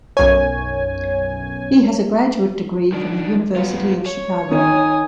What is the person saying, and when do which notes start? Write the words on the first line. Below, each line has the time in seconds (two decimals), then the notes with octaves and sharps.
He has a graduate degree from the University of Chicago.
0.17 B1 F#2 C#5 G#5
2.92 D#3 D4
3.56 B3 F4
4.06 C#5
4.51 D#3 G#5 D#6 D#7